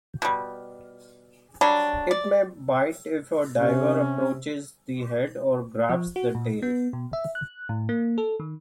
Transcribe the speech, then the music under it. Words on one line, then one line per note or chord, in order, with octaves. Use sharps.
It may bite if a diver approaches the head or grabs the tail.
B2 G3
F#3 G3 D4
D5
C3 C#4
F3
F#4
A#2
B3
B2
E5
F#6
A2
A#3
A4
D#3